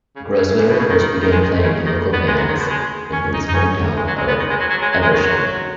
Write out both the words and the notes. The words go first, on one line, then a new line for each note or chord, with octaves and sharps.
Grosvenor first began playing in local bands in his hometown of Evesham.
C#3
C#3
G#2
B2
C#3
D#3
D#3
D#3
G#3
D#3
C#3
D#3
B3
G#3
F#3
D#3
B2
G#3
C#4
D#4
D#4
C#4
G#3
F#3
G#3
B3
D#3
G#3
F#3
F#3
G#3
F#3
G#3
D#3
F#3